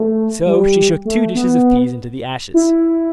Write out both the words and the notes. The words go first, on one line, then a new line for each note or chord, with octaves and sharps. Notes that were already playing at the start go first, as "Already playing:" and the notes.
So she shook two dishes of peas into the ashes.
Already playing: A3
G3
A3
B3
E4